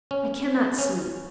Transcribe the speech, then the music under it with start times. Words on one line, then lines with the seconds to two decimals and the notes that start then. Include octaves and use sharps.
I can not sleep.
0.11 C#4
0.78 C#4